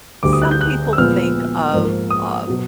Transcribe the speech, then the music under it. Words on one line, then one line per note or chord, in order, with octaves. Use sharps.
some people think of, uh,
D2 D3 G3 D6
D#6
F#6
G6
F#6
E6
A#2 F3 G#3 B3 F6
G#2 F3 A#3
D#6
B2 F#3